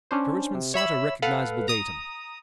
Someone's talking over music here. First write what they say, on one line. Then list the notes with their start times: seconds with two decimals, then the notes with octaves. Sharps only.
Sir Richmond sought a recognizable datum.
0.11 C#4 D4 C5
0.54 C3
0.74 C#5 E5 B5 E6
1.22 A4 B4 F5 F#5
1.68 A#5 D#6